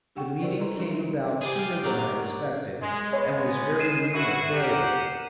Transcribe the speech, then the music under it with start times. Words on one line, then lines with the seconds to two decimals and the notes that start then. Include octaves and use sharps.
The meeting came about sooner than I expected, and was very near a failure.
0.16 D4 G4 F#5 G5 C#6
0.42 E4 G4 A#4 C5 D5
0.59 F#3 A4 B4 A#5 C6
0.76 E3 D4 E4 A#4
0.90 G3 D#4
1.41 G4 G#4 C5 D5
1.56 F4 G5
1.83 F#3 A#4 D5
2.81 G#3
3.13 G#3 B3 C#5
3.79 C7 D#7 E7
4.14 E4 F#4
4.51 G4 A#4 F#5